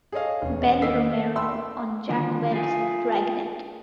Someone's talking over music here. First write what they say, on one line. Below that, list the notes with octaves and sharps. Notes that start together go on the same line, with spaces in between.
Ben Romero on Jack Webb's "Dragnet".
G#4 A4 C#5 D#5 F5
E1 C#4
D#3 A#3 D#4 E6 B6 C7
G5 B5 C6 E6
D#2 D3 F3
A3 F4 G#4